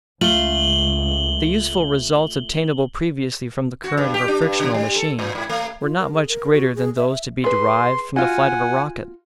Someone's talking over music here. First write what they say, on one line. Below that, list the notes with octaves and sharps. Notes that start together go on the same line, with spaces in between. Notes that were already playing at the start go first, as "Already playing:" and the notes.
The useful results obtainable previously from the current of a frictional machine were not much greater than those to be derived from the flight of a rocket.
C#2 A3 F4 F5 F#7 G7
F#4
G2
G4
D4
G2
C#3
G3
A4
A2
G#2
A3
F4
A#4
G#4
A#4
F#4
G#4
E5
E5
G#4 B4 C6
F4 F#4 F#5 G#5